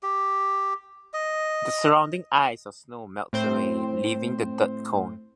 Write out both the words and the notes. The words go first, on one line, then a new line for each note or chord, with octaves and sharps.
The surrounding ice or snow melts away, leaving the dirt cone.
G4
D#5
A2 C4 C5